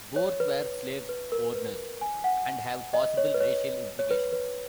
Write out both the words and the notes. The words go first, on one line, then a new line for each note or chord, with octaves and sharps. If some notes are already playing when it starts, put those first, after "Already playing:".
Both were slave owners and have possible racial implications.
C#5
B4
B4
A#4
B4
G#5
F#5
D#5
C#5
B4
C#5
C#5
B4
B4